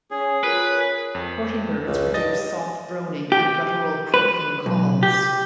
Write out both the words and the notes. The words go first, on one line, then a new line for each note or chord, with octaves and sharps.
Courting birds produce soft droning and guttural croaking calls.
C#4 G#4
F4 A#4 B4 C#5
F2
C#2
G2 D#5 A6
G4
B4
B1
G4